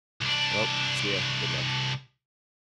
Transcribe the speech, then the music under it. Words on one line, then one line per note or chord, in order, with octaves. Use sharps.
Well, see you. Good luck.
C2 D4